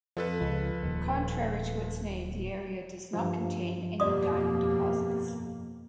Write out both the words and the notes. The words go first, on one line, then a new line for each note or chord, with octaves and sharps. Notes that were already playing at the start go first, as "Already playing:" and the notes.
Contrary to its name, the area does not contain any diamond deposits.
F2 F3 A4 B4
C#2
D#1
G2 F3
F2 B2 A#3 G4 D5 D#6